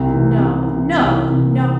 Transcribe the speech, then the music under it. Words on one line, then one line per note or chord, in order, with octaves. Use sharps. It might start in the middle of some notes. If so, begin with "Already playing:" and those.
No, no, no!
Already playing: C2
C3 E3
C2
C3 E3
C2
C3 E3